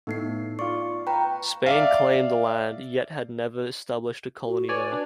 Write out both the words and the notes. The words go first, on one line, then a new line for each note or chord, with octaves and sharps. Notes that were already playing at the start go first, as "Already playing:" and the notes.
Spain claimed the land yet had never established a colony there.
A2 A3 B3 D#4 C7
F4 D5 C#6
B4 F5 G5 A#5
D5 E5 F5
F#4
B4 C#5 D5 G#5
D4